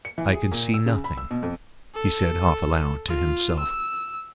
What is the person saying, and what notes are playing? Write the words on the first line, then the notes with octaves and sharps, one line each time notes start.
"I can see nothing," he said half aloud to himself.
C#7
E3
G#4
A#2
E6
C#3
B5
E6
B2
F2
A4
F4
E6